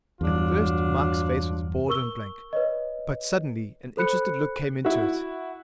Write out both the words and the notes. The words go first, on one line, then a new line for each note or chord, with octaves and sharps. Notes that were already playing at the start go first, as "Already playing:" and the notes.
At first Mike's face was bored and blank, but suddenly an interested look came into it.
E2 G2 F#3 D4 F4
A#4 C#6 E6 G7
B4 C#5 D#5
A4 C5 B5 F#6 C#7
E4 F#4